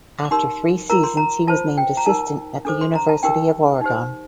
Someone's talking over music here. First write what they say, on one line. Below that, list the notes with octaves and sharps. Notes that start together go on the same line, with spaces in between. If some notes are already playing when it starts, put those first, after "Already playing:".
After three seasons he was named assistant at the University of Oregon.
D6
D#4 G4 A#4 C6
F4 A#4 A#5
C6
A#5
F4 C5 A5
G5
A#5
D#4 A#4 A5
D4 A4 C5 D6
C6
A#5
A5
D#4 G4 A#4 G5
D#4 G4 C5